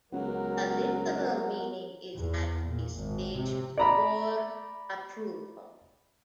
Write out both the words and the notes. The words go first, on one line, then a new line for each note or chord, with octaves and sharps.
The literal meaning is at a stage before approval.
C#2 F#3 B3 F#4 A#4
E2
A#2
G#1
C3
D5 A#5 B5